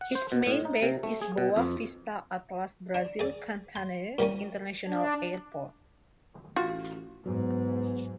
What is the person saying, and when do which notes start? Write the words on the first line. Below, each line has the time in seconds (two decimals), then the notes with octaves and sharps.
Its main base is Boa Vista-Atlas Brasil Cantanhede International Airport.
0.01 F#5
0.15 C5
0.32 B2
0.47 A2
0.65 D#4
0.83 C3
1.03 A3
1.22 G#4
1.37 B2
1.56 F2
2.94 D4
3.19 G#4 D5
3.76 C6
4.18 A#2 G3 A#3 C#4
4.88 D4
6.56 A1 F4 F#4
7.26 G#2 F#3 B3